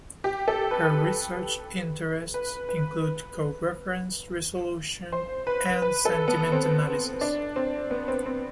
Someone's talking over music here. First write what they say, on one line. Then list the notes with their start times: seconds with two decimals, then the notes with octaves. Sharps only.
Her research interests include coreference resolution and sentiment analysis.
0.24 G4
0.48 A4
0.71 B4
2.34 B4
2.69 B4
5.12 C5
5.47 B4
5.82 B4
6.05 A4
6.28 B3
6.52 C4
7.21 D4
7.56 C4
7.91 B3
8.08 C4
8.26 C4